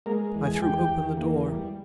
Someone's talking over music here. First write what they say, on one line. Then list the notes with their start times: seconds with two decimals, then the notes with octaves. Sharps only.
I threw open the door.
0.06 G#3 A#3 A#4
0.34 E2
0.43 G#4 G#5
0.62 E2 G4 G5
0.89 E2
1.17 A#3
1.45 G3